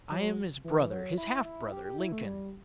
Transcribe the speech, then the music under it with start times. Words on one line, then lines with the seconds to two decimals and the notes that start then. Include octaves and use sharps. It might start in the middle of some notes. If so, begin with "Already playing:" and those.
I am his brother--his half-brother, Lincoln.
0.11 F#3
0.64 E3
0.91 F#3
1.18 E4
1.45 E4
1.72 G4
1.85 G4
1.99 E4
2.12 A3
2.25 G3